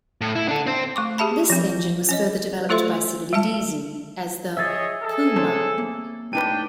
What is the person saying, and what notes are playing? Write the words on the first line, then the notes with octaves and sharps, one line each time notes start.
This engine was further developed by Siddeley-Deasy as the Puma.
A2
E4
D4 A4
C4 C5
A3 C#6 D6
G4 G#4 E5 A5 B5
F3 C4
C#4 C#5 D#5
A3 F4 A4 C5 E5 C6
G3 G#3 E5 A5
G#4 C#5 D#5 E5 A6
G#4 A4
C4 C#5 A5
A#3
A2 D4 D#4 B4 G5 D#7